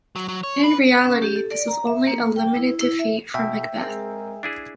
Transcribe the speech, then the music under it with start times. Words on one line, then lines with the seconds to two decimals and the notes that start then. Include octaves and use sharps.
In reality this was only a limited defeat for Macbeth.
0.16 F#3
0.28 F#3
0.44 C#5
0.64 B4
1.06 C#4
1.22 G4
1.36 A4
1.51 D5
1.68 A#5
1.87 E5
2.07 A#3
2.36 G5
2.56 E4
2.81 E4
2.99 E5
3.34 B2 E5 G5
3.82 G#3 C4 G#4 A#4
4.43 D4 E4 G#4